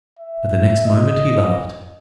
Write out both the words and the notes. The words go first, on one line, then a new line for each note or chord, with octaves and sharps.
But the next moment he laughed.
E5
D#5